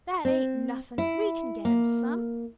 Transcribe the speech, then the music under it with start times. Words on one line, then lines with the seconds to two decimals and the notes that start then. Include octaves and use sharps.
"That ain't nothing; we can get him some."
0.25 C4
0.98 E4
1.65 A#3